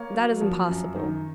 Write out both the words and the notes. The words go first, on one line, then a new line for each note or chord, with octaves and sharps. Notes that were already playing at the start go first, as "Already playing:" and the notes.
"That is impossible."
Already playing: A#3 C#5 F5
F#3
F3
F#2
D#3